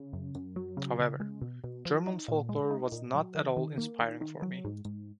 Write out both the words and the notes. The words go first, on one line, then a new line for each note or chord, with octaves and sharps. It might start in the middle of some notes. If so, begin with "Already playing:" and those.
However, German folklore was not at all inspiring for me.
Already playing: C#3
F#2
F#2
F#3
C#3
C#3
G#3
B2
B2
F3
D#4
A#2
G#3
D#4
A#2
F#3
D#3
D#3
A#3
D#3
D#3
F#3
G#2
G#2